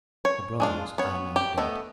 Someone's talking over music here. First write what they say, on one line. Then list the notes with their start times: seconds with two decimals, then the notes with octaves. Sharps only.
The Brothers are now dead.
0.25 C#5
0.60 G#3 D4 F4
0.98 B3 C#5
1.36 G4
1.58 A3 B3 D#5